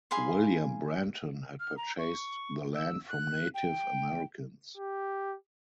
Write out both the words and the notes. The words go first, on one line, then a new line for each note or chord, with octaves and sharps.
William Brenton had purchased the land from Native Americans.
G#4 F5 B5 C6
F6
A#5
C#6
E6
F#6
G5
G4